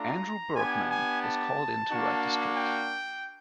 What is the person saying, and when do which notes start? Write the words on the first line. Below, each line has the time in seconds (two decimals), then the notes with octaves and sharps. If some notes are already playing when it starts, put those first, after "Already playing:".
Andrew Bergman was called in to write the script.
Already playing: A3 D4 F4 A#5
0.56 B3 D4 G4 G#5
0.89 G#5
1.22 A5
1.90 A#3 D4 F#4
2.56 G5